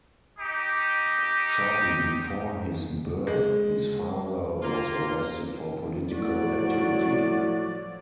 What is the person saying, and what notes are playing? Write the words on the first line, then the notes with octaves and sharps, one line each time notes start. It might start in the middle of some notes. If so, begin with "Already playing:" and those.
Shortly before his birth, his father was arrested for political activity.
D#4 G4
G#3
A#3 F4
A2 F3 F#3 F#4 D5